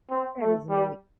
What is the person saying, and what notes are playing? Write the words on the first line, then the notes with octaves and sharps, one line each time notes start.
That is neat.
C4
A3
G3